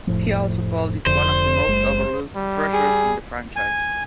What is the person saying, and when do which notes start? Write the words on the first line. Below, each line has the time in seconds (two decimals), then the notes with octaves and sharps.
He also called it one of the most overlooked treasures in the franchise.
0.07 F1 A2 F3
1.06 F1 F2 D3 C5
1.67 F#1 G#3
2.36 G3
2.74 G#4
3.56 G#5